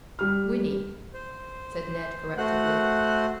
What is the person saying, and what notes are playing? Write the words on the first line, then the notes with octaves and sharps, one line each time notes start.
"Whinny," said Ned correctively.
G3 F6
C5
A3 F#4 C5 F#5 F#6